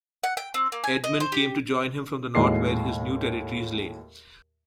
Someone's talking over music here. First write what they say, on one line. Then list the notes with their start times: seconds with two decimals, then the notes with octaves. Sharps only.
Edmund came to join him from the North, where his new territories lay.
0.23 F#5
0.37 G5
0.54 C4
0.72 A#3
0.84 G#5
1.04 D#5
1.20 C5
1.32 G4
2.35 D#2 A2 G#3 F#4 D#5 C7